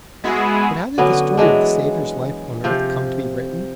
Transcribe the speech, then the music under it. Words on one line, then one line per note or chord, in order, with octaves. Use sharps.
But how did the story of the Saviour's life on earth come to be written?
G#3 B3 E4 F#4 G#4
D3 F#3 B3 C#4
E3 F#3 G#3 D4
C3 F3